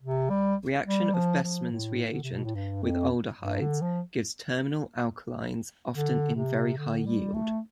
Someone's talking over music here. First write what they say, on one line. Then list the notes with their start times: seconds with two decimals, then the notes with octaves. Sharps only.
Reaction of Bestmann's reagent with aldehydes gives terminal alkynes often in very high yield.
0.01 C3
0.30 G3
0.86 G3
1.14 F3
1.43 F3
1.71 A2
2.12 D3
2.23 C3
2.33 B2
2.44 A2
2.55 G2
2.83 F2
3.40 G2
3.61 D3
3.82 F3
5.93 D3
6.35 C3
6.77 D3
7.06 G3
7.34 A3